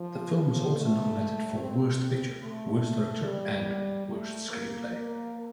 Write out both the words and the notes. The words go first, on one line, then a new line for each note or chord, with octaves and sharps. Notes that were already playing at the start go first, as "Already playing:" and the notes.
The film was also nominated for Worst Picture, Worst Director, and Worst Screenplay.
Already playing: F3
F3
A3
C4
A3
G3
A3
A#3
A#3